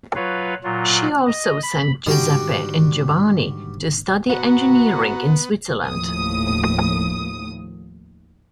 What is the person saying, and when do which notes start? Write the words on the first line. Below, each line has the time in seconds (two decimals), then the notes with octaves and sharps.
She also sent Giuseppe and Giovanni to study Engineering in Switzerland.
0.15 F#3 F4 B4 C#5 F5
0.63 A#2 F#3 F4
1.27 D#5
1.63 B5
2.07 G#2 D3 D#3 G3 F#4 G5
4.30 B3 F#4 F#5 A#5
5.82 D#2 A2 F3 D#6